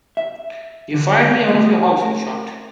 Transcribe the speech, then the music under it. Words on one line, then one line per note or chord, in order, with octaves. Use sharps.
You fired me out of your house, in short.
E5
D3
A3
A#4